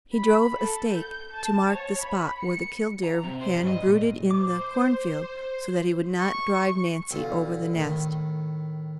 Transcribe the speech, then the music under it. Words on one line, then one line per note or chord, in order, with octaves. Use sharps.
He drove a stake to mark the spot where the killdeer hen brooded in the corn field, so that he would not drive Nancy over the nest.
B5
A4
G6
A5
C#5
B5
C#7
A#5
C3
C5
G2
D#5
A#2
C5 D6
C#6
B1 D3 F4
A2 D#3